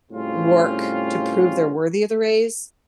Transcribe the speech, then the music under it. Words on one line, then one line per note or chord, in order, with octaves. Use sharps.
work to prove they're worthy of the raise,
A2 C#3 G3 C4 C#4 F4